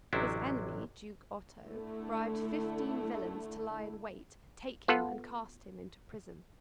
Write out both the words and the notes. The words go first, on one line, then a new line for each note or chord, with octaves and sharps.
His enemy, Duke Otto, bribed fifteen villains to lie in wait, take him and cast him into prison.
A1 C3 F#3 C#4 D4 E4
D3 A3 E4
B3 F4 A4 F#5